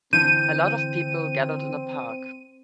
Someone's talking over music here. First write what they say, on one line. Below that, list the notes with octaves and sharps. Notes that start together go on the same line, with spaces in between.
A lot of people gathered in a park.
D3 E3 C4 G6 D#7